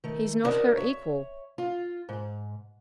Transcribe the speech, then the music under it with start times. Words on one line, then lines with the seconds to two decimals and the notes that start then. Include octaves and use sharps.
'He's not her equal.
0.04 D#3 A3
0.44 B3 C4 D4 F#4 A#4 D#5
0.77 C#5 E5
1.58 F4
2.09 G#2